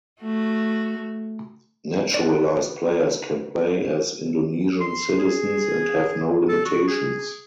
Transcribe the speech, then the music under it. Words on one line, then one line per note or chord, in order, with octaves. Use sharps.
Naturalized players can play as Indonesian citizens and have no limitations.
A3 F#4
B4 D5
C6
G#4
A4
F#4
G#4